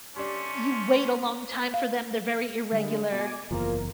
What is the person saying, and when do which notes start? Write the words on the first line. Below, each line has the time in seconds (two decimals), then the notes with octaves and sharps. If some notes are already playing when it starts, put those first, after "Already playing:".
you wait a long time for them, they're very irregular,
0.16 G3 A3 A#3 C#4 D4 C6
1.74 F5
2.72 D3 G3 G#3
3.12 B2 G#5 D6
3.51 F#1 E2 F3 A#3 A#4